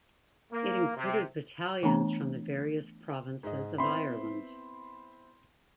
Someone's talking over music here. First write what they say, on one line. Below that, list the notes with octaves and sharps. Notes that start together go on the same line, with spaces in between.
It included battalions from the various provinces of Ireland.
A#3
C3
E3 A3 B3 D4 A#5
G#2 D#5
B3 C4 E4 B5 C6